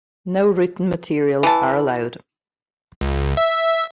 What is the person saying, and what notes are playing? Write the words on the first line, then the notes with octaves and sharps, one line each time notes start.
No written materials are allowed.
E3 A5
C#2
E5